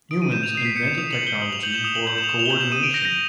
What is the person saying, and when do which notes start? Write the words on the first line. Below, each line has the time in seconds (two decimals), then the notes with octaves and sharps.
Humans invented technology for co-ordination .
0.11 D#6 D7
0.22 D#7
0.32 G6 E7
0.44 F7
0.55 D#6 C7
0.65 B6
0.76 G6 C#7
0.88 E7
0.98 D#6 F7
1.12 F#7
1.19 G6
1.27 G7
1.42 D#6 F#7
1.53 F7
1.63 G6 F#7
1.74 E7
1.84 D#6 F7
1.95 F#7
2.07 G6 F#7
2.18 E7
2.24 F7
2.29 D#6 E7
2.39 F7
2.46 G7
2.50 G6 F#7
2.61 E7
2.72 D#6 D#7
2.83 D7
2.94 G6 A#6
3.05 A#6